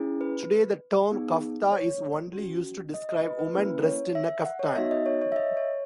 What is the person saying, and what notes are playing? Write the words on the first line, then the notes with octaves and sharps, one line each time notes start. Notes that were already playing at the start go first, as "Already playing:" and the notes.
Today the term Kafta is only used to describe women dressed in a Kaftan.
Already playing: C#4 E4 G#4
B4
B3 D#4 G#4
C#5
C#4 F#4
D#5
D#5
B4
B4
A#3 C#4 E4 B4
C#5
E5
F#5
C#5
D#5
B3 D#4 F#4 E5
D#5
C#5
C#5
E5
D#5
C#5